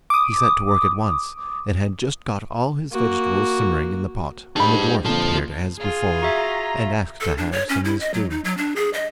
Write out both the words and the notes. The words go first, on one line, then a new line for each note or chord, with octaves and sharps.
He set to work at once, and had just got all his vegetables simmering in the pot when the dwarf appeared as before, and asked to have some of the stew.
D6 D#6
A#3 F#4
G#2 D4 G4 A5 B5
F2 A#2 D3 A#3 F4 A5
F4 G#4
F#4 E5 A#5
A4
D4
C#5
C#4
E4
D#5
F#3
D#4
F#3
D4
G#4
D#5